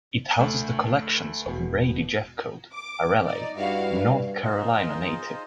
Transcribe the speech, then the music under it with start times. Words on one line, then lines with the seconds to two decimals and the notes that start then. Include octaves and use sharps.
It houses the collections of Brady Jefcoat, a Raleigh, North Carolina native.
0.39 D2 A3
1.47 E1 B2
2.73 D6
3.25 D#4 D5
3.57 G2 E4 F#4 F5
4.43 G#3 D#4 F4 C5 D#5